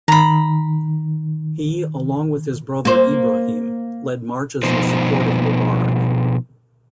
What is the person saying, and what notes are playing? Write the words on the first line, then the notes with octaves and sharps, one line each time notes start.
He, along with his brother Ibrahim, led marches in support of Mubarak.
D#3 A#5 B5
A#3 C5
B2 F3 B3 D#4 C5